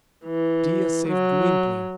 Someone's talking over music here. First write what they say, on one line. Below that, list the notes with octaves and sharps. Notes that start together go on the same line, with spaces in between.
Dea saved Gwynplaine.
E3
F#3